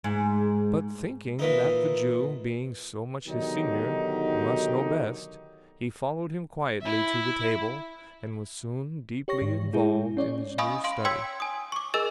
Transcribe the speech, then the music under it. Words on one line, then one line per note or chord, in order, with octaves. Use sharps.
But, thinking that the Jew, being so much his senior, must know best, he followed him quietly to the table, and was soon deeply involved in his new study.
G#2
A#2 E3 D#4
B2 D3 D#3 F#3 D#4 G4
E4 E5
G4 C#5 C#6 A#6
G#2
G#3 E4 G#4
C#4 C#5 D5
D#5 F5 G#5 B5 C#6 D#6
F5 C6 D7
C#5 G5 C6 E6 G#6 B6
G#5 D#6
C#6 D6
G#4 A#4 D#5 G#5 E6 A6